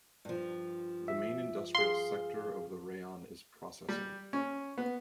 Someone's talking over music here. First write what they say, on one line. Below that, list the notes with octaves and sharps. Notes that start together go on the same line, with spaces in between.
The main industrial sector of the rayon is processing.
G2 F3
E5
G#4 F5 C6
G3
C#4
B3